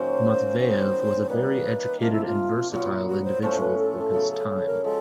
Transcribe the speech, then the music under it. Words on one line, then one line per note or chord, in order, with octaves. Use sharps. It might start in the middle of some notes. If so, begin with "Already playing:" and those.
Matveyev was a very educated and versatile individual for his time.
Already playing: A#2 D#3 F#3 A#3 C#4 C5
D#3 F#3 B3 C5
G3 A#3 D#4 B4
C3 F3 A#3 A#4
E4
F4
A#2 F#3 B3 F4
F#4
C5
A2 F3 A3 C#4 C5
B4
A4
C#3 F#3 B3
A4
A#4
F3 G#3 A4